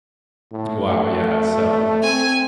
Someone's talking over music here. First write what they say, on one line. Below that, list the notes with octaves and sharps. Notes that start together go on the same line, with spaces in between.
Mm, wow, yeah, so,
A2
A3
C4 G#5